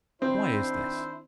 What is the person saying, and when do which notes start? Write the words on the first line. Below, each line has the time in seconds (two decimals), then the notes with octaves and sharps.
Why is this?
0.22 D#3 C4 D4 E4 C5